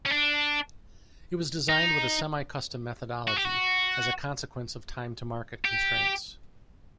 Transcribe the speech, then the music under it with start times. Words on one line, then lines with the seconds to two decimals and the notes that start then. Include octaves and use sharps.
It was designed with a semi-custom methodology, as a consequence of time-to-market constraints.
0.06 C#4
0.10 D4
1.69 D#4
3.28 F#4
3.36 G4
3.45 F#4
5.65 G4